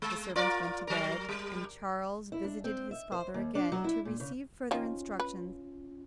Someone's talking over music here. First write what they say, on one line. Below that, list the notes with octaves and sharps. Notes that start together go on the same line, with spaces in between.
The servants went to bed, and Charles visited his father again, to receive further instructions.
G#3
F4 A#4 D5
F#3 A#4
G3
E4
D4
C4
E5
C5
D#2
D4
F#3
E4
A#2
C#3
D#3 F3 C#4 F4
B4